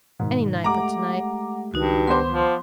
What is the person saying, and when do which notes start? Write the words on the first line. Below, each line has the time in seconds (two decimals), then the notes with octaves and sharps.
Any night but to-night.
0.20 G#2 B2 D#3
0.64 G#3 A3 G4 F#5 A#5 D6
1.74 C#2 G2 D#3 D#4 F#4 B4
2.07 B3 C5 C6 D6
2.32 F3